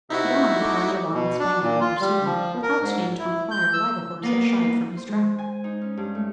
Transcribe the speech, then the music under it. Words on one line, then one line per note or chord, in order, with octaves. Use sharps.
Beyond the party along with Spangler had proceeded--without staying to inquire why the horse had shied from his track.
C3 D#4 E4 F#4 E5
A3 D6
B2
D4
A#2
F4
G3
F3
A#4
G#2
E4
G6
E6
A#3 B3
C5
G#3
G#5
D#4
C#4
G2
A3